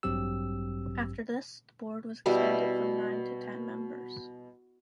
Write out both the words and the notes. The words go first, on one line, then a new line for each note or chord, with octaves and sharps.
After this the board was expanded from nine to ten members.
A1 G2 F#3 C4 G4 E6
B2 G3 E4